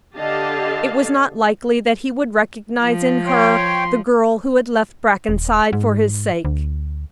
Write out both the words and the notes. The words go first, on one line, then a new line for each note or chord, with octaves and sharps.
It was not likely that he would recognize in her the girl who had left Brackenside for his sake.
D3 G4 D#5 F5 A5
F3
C#5 G5 C6
D#1
G#2
D2